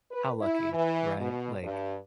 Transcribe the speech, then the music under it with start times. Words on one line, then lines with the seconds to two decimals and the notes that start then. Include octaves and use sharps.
how lucky, right? Like,
0.11 B4
0.40 E4
0.73 E3
1.19 B2
1.62 G2